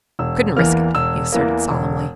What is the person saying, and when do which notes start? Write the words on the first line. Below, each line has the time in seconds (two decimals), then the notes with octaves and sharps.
"Couldn't risk it," he asserted solemnly.
0.19 E1 E6
0.56 E2 E3 A#3 F6
0.95 E1 E6
1.32 E2 E3 A#3
1.71 E1